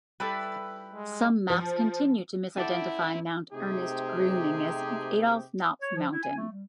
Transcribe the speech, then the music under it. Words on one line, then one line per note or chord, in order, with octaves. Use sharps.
Some maps continue to misidentify Mount Ernest Gruening as Adolph Knopf Mountain.
G3 E4 G4 A4 B4
G#3
F3
C#4 E4 A4 D5 E5 F#5 G5
C3 A3 C4 D#4 G4 G#4
C#5
F3
E4
G#5
A3
G3